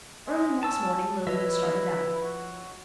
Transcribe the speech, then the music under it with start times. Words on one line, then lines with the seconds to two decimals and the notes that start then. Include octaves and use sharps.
Early next morning Lilian started out.
0.27 G#3
0.63 C#4 A5 E6
1.27 F3 E4 B4 C#5 D#5 E5
2.21 F#4